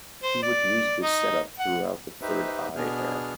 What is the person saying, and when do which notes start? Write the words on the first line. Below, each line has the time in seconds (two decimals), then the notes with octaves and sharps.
He would use this set up throughout the "Third Eye" era.
0.23 C5
0.43 D5
1.03 D#4
1.59 F#5
2.22 D#4 G4 B4 C5 E5
2.76 B2 B3 D4 G#4 F6